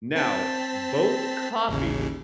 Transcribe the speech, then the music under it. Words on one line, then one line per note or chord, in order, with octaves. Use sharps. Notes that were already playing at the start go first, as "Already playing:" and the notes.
Now, both coffee
C4 A5 B6
A1 D#2 C#3